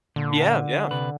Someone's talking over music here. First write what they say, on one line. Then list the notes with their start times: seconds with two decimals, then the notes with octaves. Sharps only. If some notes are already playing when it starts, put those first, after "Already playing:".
Yeah, yeah.
0.16 A#2 D3
0.91 C3 B4